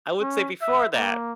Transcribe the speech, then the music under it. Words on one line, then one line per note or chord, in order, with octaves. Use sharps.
I would say before that,
C#4
E5
A#3